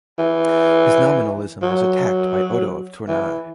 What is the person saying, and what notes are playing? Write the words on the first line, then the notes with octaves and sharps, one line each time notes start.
His nominalism was attacked by Odo of Tournai.
E3
F#3
E3